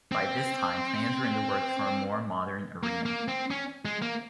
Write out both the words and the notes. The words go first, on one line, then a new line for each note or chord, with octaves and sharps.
By this time, plans were in the works for a more modern arena.
C4
A#3
A#3
C4
C#4
G#3
A#3